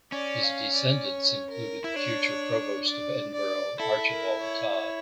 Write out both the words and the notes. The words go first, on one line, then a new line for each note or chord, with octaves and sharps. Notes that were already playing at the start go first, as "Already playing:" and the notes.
His descendants included the future Provost of Edinburgh Archibald Tod.
C#4 D5
F5
D5
C#5
A#4
E4
D4 C#5
D5
D5
E4 A4
A#4
C#5
C#5